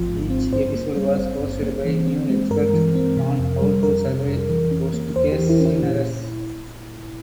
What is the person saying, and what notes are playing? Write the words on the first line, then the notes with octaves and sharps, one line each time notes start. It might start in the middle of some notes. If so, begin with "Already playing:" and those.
Each episode was hosted by new experts on how to survive worst-case scenarios.
Already playing: G#1 F3 C4 F4
G#2
C4
G2 C5
A#3
G3
G#1
G2
A#3
E3
C4
G#3
G2 A#4
E3
C4
C3
F2
G3
F2 A#4
C3
F2
E3
C#4
A#3
E2 C5
G4
E3
E4
C#4
E4
A#2